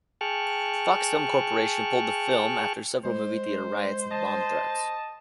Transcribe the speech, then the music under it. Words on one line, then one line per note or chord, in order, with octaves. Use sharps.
Fox Film Corporation pulled the film after several movie-theater riots and bomb threats.
G#4 G5 A5 C#6 F6 F#6
G#3 C5
D#5 A5